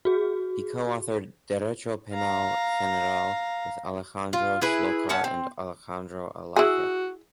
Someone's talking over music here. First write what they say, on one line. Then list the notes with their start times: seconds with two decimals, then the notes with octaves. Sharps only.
He co-authored "Derecho Penal: General" with Alejandro Slokar and Alejandro Alagia.
0.05 F#4 G#4
2.13 F5 A#5
4.33 F4
4.62 E4 G#4 B4
5.09 C#4 F#5 A5
5.24 C4
6.56 E4 F#4 G#4